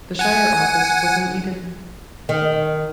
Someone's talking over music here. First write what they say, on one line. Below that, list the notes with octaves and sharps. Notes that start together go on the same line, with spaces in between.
The shire office was in Eden.
F#5 G#5
D#3